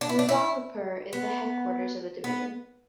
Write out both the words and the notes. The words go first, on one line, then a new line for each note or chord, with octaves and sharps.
Muzaffarpur is the headquarters of the Division.
D4
E4
D4
E4
B3
B3